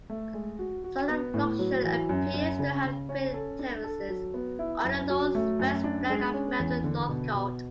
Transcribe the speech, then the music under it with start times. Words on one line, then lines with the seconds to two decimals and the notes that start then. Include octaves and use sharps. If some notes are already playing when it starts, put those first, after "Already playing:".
Solifluction appears to have created terraces on the north west flank of Mount Northcote.
0.10 A3
0.34 G#3
0.59 F#4
0.84 F#4
1.09 B3
1.34 A2
1.59 F#3
1.84 E3
2.09 F#2
2.34 F#2
2.59 C#3
2.84 C#3
3.09 C#4
3.34 A4
3.59 D4
3.84 A4
4.09 F#3
4.34 B3
4.59 E4
4.84 F#2
5.10 F#3
5.35 A3
5.59 F#2
5.84 D4
6.10 G#3
6.34 C#4
6.59 E2
6.84 D3
7.09 B2
7.34 B2